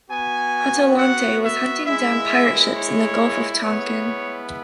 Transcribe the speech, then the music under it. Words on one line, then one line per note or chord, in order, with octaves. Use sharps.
"Atalante" was hunting down pirate ships in the Gulf of Tonkin.
B3 F#4 G#5
F#5
E5
G#3 E4 E5
C#5
G#3 B3 E4 C#5